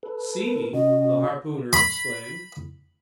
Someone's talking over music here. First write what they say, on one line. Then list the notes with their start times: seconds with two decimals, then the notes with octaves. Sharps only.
"See!" the harpooner exclaimed.
0.03 A4 B4
0.44 A#4
0.73 C3 C#4 F#4 D#5
1.73 B5